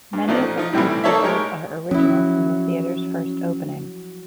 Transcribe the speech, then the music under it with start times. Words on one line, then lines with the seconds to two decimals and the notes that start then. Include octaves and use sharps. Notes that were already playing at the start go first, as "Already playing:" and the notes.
Many of the current features are original from the theatre's first opening.
0.13 G2
0.28 A1 F3 C4 D#4 D5
0.58 F3 D#4
0.73 A2 C3 E3 G3
1.04 A#3 D#4 A4 C#5 D5 E5
1.22 G#3 D#4 G4 A#4 C#5
1.91 F3 F#3 C#4 E4